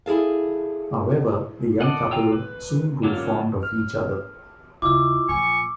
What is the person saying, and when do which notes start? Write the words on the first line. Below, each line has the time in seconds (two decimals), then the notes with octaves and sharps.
However, the young couple soon grew fond of each other.
0.06 E4 G#4 A4 F5
1.81 A4 D5 D#5 F#5
2.11 F4 G5 A#5 E6
2.32 B4
3.03 D3 F#3 A#3 C#4 F4
3.63 F6
4.82 D#2 C#3 E4 F4 D#5 D6 E6
5.29 A#2 F3 G#5 C#6